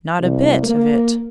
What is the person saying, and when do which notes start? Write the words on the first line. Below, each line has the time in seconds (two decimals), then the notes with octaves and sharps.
'Not a bit of it.
0.19 C2
0.63 A#3